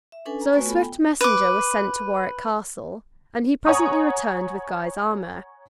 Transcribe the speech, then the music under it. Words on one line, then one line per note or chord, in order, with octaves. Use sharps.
So a swift messenger was sent to Warwick Castle, and he presently returned with Guy's armor.
E5
C#4 D4 A4 B4 G#5
A#5
A3 F#4 B4 C#5 G#5 C#6
B3 F4 A4 G#5 B5
G5
B4 D6
C#5 F#5 G#5 A#5 C#6 D#6